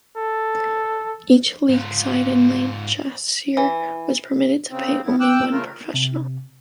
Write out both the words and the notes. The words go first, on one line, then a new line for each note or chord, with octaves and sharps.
Each League side in Lancashire was permitted to pay only one professional.
A4
G#2 F4
E3
C#3 C4
D#3 B3 E4
G5 D6 E6 F#6
C#3 A3 F4 A#4
C3